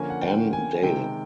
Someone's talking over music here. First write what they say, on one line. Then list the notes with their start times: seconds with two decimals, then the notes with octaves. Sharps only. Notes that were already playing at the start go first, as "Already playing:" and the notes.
Ann Dale.
Already playing: D3 F3 A#3 C#4 G#5
0.10 F#5
0.22 G5
0.53 G#5
0.83 C3 D#3 G#3 G5